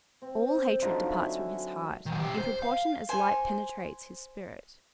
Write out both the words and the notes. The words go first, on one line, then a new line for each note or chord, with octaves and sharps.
All hatred departs from his heart, in proportion as light penetrates his spirit.
C4
D3 F#3 D#4 F4
E5 G#5
D#3 F#3
C#3 G4
C5
F5
C5 G#5